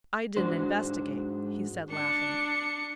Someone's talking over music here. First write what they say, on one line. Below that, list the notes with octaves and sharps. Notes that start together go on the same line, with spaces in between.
"I didn't investigate," he said, laughing.
G#2 G#3 D4 F#4 C5
D4 C#7